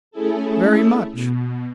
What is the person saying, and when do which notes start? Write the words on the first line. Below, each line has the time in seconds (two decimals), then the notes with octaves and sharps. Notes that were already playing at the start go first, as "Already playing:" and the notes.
"Very much."
0.11 A3 C#4 E4 G#4 A4
1.12 B2